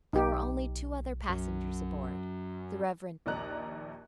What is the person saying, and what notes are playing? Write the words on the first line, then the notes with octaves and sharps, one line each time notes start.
There were only two other passengers aboard, the Rev.
B1 D#4 G4
F#2 F#3
A#1 D#2 D5 D#5 A#5 F#6